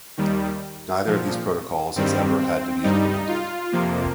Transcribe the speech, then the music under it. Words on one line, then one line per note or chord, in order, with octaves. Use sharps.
Neither of these protocols has ever had to be implemented.
D#2 D#3 G3
A#2 F3
G2 D#3 G3 C4
C4
G2 G3 D#4
F4
F2 C3 F3 A#3